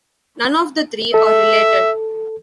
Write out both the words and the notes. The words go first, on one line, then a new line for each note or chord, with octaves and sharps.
None of the three are related.
A4 E5